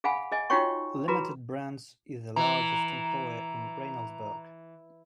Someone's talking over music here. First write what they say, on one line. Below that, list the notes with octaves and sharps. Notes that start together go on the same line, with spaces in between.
Limited Brands is the largest employer in Reynoldsburg.
G#4 F5 F#5 G#5 B5
G#4 D#5 G#5
D#4 F4 F#4 C#5 G5 C#6
E4 F#4 G#4 B4 A#5 B5
E3 A#5